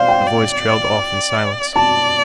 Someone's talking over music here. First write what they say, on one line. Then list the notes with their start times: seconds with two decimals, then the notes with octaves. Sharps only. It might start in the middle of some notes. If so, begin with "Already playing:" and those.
The voice trailed off in silence.
Already playing: C5 D5 F5
0.08 G5
0.27 D5
1.75 D5 A5